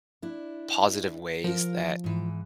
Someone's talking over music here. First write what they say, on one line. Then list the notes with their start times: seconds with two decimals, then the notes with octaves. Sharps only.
positive ways that,
0.22 D4 E4
1.44 F3 F4 A#4
2.04 G#2 E3